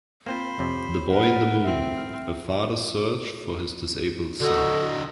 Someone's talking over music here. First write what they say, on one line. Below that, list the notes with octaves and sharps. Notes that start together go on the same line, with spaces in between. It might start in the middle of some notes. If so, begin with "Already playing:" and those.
The Boy in the Moon: A Father's Search for His Disabled Son.
A#3 C4 F4 C5 B5
F2 C3 C#5
A#4 B4 F#5
C4 E5
F6
D3 F#4 A4 D#5